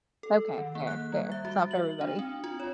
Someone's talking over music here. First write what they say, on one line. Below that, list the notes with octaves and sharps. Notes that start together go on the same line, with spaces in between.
Okay, fair, fair. It's not for everybody.
A4
D#3
A#3
F#6
G3
E5
F#4
F#7
D4
C4
F4
C#5